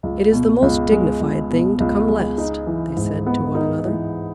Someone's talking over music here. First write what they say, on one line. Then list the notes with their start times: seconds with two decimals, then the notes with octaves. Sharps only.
"It is the most dignified thing to come last!" they said to one another.
0.03 C#2
0.33 B2
0.62 C#2
0.92 G#3
1.21 C#2
1.50 B2
1.80 C#2
2.08 G#3
2.38 D#4
2.67 E3
2.97 G#2
3.26 B3
3.55 D#4
3.85 E3